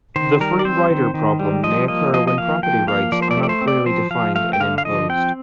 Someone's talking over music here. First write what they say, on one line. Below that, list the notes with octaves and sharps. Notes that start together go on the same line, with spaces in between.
The free-rider problem may occur when property rights are not clearly defined and imposed.
D#3 C5
G3 A#4
D5
C4 C5
D#3
D#3
G3
F3 D#5
A#3 D#5
F3 D#5
D#5
A#3 F5
F3 G5
A#3 F5
F3 D5
C5
D5
A3
D5
C5
C4
D5
F3 C5
F3 F5
A3 F5
G5
D3 F5
F5
F3 D#5
C4 G5